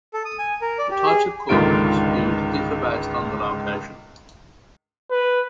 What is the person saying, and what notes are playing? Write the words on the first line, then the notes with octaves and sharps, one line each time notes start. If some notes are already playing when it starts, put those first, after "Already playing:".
The types of cormorants used differ based on the location.
A4
D#6
G#5
A#4
D5
G4
G#4
C#2 G#2 D3 D#3 F4 D7
B4